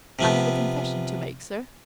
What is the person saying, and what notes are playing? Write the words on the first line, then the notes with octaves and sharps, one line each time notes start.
I have a confession to make, sir.
C3 F3 B3